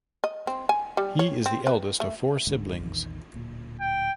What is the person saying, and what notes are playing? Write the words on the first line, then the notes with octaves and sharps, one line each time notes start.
He is the eldest of four siblings.
D#5
C4
G#5
G3
C#5
C4
B4
A3
D1 G#2 D3
A#1 E2 D#3
D1 A#2
G5